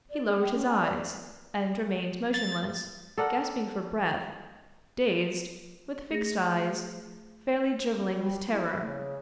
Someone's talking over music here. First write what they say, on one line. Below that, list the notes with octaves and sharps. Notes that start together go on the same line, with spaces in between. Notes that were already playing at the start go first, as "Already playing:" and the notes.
He lowered his eyes--and remained motionless, gasping for breath, dazed, with fixed eyes, fairly driveling with terror.
D5
G#4
G5
C#4
G#5
D5
A6
A4 A#4 D5 F#5
A3 G#4 A#6
G3
E4
C#3